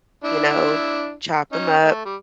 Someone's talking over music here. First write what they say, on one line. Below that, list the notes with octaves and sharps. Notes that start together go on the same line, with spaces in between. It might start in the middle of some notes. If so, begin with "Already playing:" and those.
you know, chop ‘em up
D4 E4
C#4 D#4
A3
G3